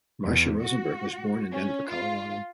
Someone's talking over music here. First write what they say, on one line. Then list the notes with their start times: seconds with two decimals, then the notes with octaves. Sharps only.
Marsha Rosenberg was born in Denver, Colorado.
0.24 E2
0.62 F#4
1.51 C#4
1.88 F4